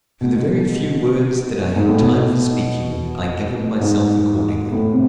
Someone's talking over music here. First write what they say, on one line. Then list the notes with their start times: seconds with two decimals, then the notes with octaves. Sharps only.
For the very few words that I had time for speaking, I governed myself accordingly.
0.21 B2
1.76 G#2
1.88 A2
2.01 B2
3.81 G#2
4.72 A2
4.93 C3